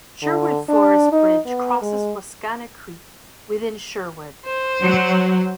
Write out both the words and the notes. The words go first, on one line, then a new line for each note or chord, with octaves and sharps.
Sherwood Forest Bridge crosses Wascana Creek within Sherwood.
D3
D4
D#4
B3
G#3
C5
F#3